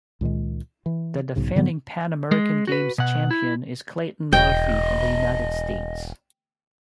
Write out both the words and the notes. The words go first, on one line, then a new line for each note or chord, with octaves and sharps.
The defending Pan American Games champion is Clayton Murphy from the United States.
C#2 A#2 D#3 G#3
E3
B1 G#2 C#3
G#2 D3 F3 B3
G#3
F#4 B4
B2 F#5
E4
E1 D#5 G5